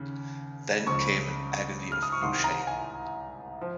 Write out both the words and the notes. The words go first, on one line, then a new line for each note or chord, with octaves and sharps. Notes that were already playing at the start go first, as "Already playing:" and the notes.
Then came an agony of new shame.
Already playing: D#2 C#3
C#2 C#3 F3 C#6
F6
D#6
C#6
C2 C3 D#3 C6
A#5
G#5
F3